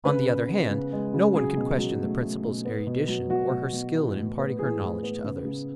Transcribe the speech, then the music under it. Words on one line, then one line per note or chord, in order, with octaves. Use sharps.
On the other hand, no one could question the principal's erudition or her skill in imparting her knowledge to others.
C#3 B4
B3
B3
C#3
G#3
C#3
F#3 G#4
B2
F#3
A3
A3
B2
B3
B2
F#3
B2 F#4
B2
B2
E3
A2
B3
E3 G#4
A2
B3
C#3
C#3